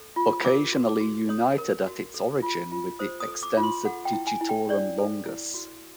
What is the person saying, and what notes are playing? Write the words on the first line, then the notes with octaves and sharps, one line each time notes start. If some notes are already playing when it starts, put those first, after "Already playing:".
Occasionally united at its origin with the Extensor digitorum longus.
Already playing: A4
F4
A#4 D6
F#4
D6
F#4
C#5 D#6
A#4
F#4
A4
F4
F4
C5 D#6
D#6
A4
D6
F4
C6
A4 F#5
G5
E4
G#5
E4
G5
C#5 D5
A4
E4
F#4